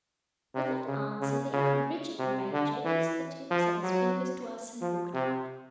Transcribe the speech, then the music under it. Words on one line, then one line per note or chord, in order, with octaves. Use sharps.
With that answer the incorrigible Major kissed the tips of his fingers to us and walked out.
C3
C#3
C#3
C#3
C3
D3
E3
F3
F#3
F3
C3